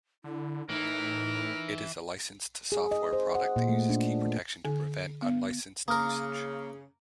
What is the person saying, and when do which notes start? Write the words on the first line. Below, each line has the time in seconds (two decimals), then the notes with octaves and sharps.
It is a licensed software product that uses key protection to prevent unlicensed usage.
0.24 D3 E4
0.69 A2 E3 D#4 A#4
2.72 G#4
2.91 D#5
3.13 C5
3.35 F#5
3.56 A#2
3.69 A3
3.89 D4
4.26 A#3
4.65 D3
5.22 B3
5.88 C#3 A#3 A#4 D#6 F6